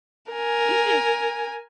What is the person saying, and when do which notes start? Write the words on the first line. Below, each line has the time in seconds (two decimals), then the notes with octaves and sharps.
You too.
0.32 A#4 G#5